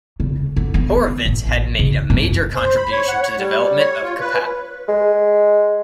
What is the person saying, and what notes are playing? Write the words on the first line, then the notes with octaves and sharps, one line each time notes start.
Horovitz had made a major contribution to the development of Kapap.
C#3
D3
B3
A1
C#3
F#2
C5
B5
C#5
F#5
C#5
G3
C#5
F4
B4
G#3